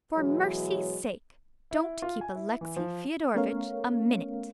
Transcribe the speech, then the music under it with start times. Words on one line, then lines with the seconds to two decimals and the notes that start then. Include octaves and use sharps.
For mercy's sake, don't keep Alexey Fyodorovitch a minute.
0.15 B2 E3 F#3 G#3 C#5
1.71 E4
2.02 F4
2.21 G#5
2.35 E4
2.61 E3
2.76 F3
3.35 A3 B3 C#4 A#4 C#5 F5